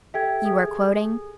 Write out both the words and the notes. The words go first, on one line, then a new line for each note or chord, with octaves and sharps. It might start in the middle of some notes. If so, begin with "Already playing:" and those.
"You are quoting?"
G4 A4 E5 G5 G#6
G#4